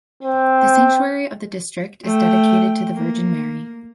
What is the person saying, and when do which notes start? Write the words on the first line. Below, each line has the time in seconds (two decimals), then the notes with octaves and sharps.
The sanctuary of the district is dedicated to the Virgin Mary.
0.23 C4
2.04 A3 G5
2.95 A#3